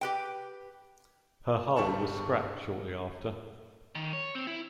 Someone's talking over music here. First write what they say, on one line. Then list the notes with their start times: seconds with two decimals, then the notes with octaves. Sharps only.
Her hull was scrapped shortly after.
0.01 G4 B4 G5
1.76 G1 G3 D4 A5 C#6 E7
3.95 D#3
4.13 C#5
4.35 C4
4.47 E4